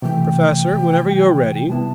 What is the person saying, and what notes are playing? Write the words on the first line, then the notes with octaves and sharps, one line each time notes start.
"Professor, whenever you're ready. . . ."
C3 E3 A3 G5
C3 G3 B3 E4 A5